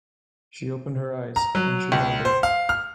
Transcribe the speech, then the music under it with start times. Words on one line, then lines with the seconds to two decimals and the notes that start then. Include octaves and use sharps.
She opened her eyes, and she wondered.
1.36 A#5
1.55 F#3
1.92 C#2
2.25 C5
2.43 F5
2.69 F6